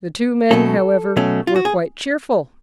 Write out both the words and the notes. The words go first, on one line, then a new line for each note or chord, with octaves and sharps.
The two men, however, were quite cheerful.
B2 F#3 A3 C#4 A4
B2 F#3 A3 C#4
F4
F#4
G#4